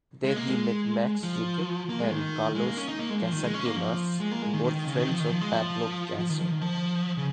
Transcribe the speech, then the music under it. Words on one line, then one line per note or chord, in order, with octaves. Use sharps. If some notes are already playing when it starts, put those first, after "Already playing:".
There he met Max Jacob and Carlos Casagemas, both friends of Pablo Picasso.
G#3
A#3
G#3
F3
A#3
G#3
D#3
G#3
A#3
C#4
D#4
A#3
G#3
F3
D#3
G#3
C#4
A#3
F3
G#3
A#3
G#3
D#3
D#3
D#3
C#3
D#3
F3
D#3
F3
G#3
F3
F3
D#3
F3
D#3
F3
C#3